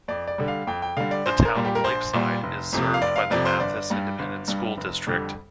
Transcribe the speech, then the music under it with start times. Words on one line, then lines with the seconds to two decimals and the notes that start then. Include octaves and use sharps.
The Town of Lakeside is served by the Mathis Independent School District.
0.08 F2 D5
0.28 D5
0.38 D3 G3
0.48 F5
0.67 F2 G5
0.82 G5
0.97 D3 G3 F5
1.11 D5
1.26 A#1 C5
1.45 A#4
1.55 A#2 G3
1.65 G4
1.75 A#4
1.84 A#1 C5
2.13 A#2 G3
2.43 F1
2.73 F2 C3 F3
2.94 F5
3.01 F1 D5
3.16 F5
3.31 F2 C3 F3 D5
3.45 C5
3.60 G1 D5
3.90 G2 G3
4.19 G1
4.48 G2 G3
4.77 F1
5.07 F2 D3 G3